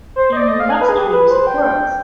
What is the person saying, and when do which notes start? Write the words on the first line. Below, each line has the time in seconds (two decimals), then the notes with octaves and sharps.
In "Love Streams", it works.
0.16 C5
0.33 D#5
0.37 D5
0.48 D#5
0.60 F5
0.70 G#5
0.81 B4
0.89 G#4
0.98 G4
1.05 G#4
1.13 B4
1.31 C5
1.47 G5
1.63 G5
1.79 G5